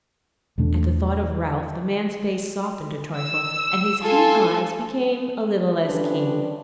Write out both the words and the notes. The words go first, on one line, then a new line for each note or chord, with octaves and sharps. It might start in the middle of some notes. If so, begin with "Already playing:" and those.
At the thought of Ralph, the man's face softened a trifle and his keen eyes became a little less keen.
E2 B2 A3 D4
E6
F4 A4 G#5
D3 F3 G3 C#4 D4 B4